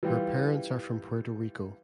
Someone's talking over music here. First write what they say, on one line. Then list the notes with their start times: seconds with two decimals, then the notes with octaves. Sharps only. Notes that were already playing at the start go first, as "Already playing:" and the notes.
Her parents are from Puerto Rico.
0.03 E3 G3 F4